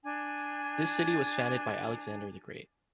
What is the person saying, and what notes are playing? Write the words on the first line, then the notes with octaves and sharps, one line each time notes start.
This city was founded by Alexander The Great.
D4 G#5